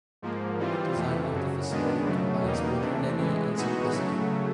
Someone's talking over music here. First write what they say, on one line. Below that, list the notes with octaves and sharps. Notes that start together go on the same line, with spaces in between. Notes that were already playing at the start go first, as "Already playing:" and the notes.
The design of the facility combines modernity and simplicity.
G#2 F3 A#3
E3 G3 C4 F4
F2 C3 E3 A3
F#2 C#3 F#3
F#2 D#3 G#3 B3 D4
F#2 C#3 F#3 A3
E2 B2 G3 A#3 D#4
C3 E3 A3 D4
A2 E3 G#3
E3 G#3 B3 D#4 F#4
C#3 F#3 A3